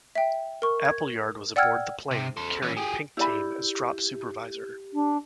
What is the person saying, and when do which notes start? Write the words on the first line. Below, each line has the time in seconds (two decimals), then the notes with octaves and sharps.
Appleyard was aboard the plane carrying 'Pink' team as drop supervisor.
0.15 E5 G5
0.62 A#4 C#6
0.85 G#6
1.56 D5 F#5 G5 E6 F6 G#6
2.11 C3
2.37 A4 C5
2.62 E3 C#4
2.77 G4 G#4
3.17 E4 G4 D5 B5
4.94 D4